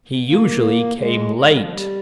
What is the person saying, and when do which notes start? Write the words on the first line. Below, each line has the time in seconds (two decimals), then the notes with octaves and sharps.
He usually came late.
0.28 A#3
1.00 G#3
1.36 G#3
1.48 G3
1.60 F3
1.72 G3